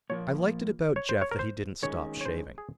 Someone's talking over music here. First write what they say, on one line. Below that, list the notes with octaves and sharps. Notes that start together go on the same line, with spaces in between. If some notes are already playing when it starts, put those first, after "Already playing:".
I liked it about Jeff that he didn't stop shaving.
A#2 F3 A#3 C#5
C#5
C5
C#5
A#4
C5
D#3 G#3 C#4 C#5
C#5
C5
G#4